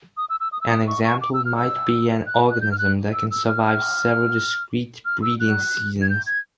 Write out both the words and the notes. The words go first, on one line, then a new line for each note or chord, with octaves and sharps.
An example might be an organism that can survive several discrete breeding seasons.
D#6
E6
E6
D#6
E6
D#6
C#6
C#6
D6
E6
F6
E6
F#6
F#6
G6
F6
F#6
E6
E6
F6
F6
F6
E6
F#6
G#6
G6
G#6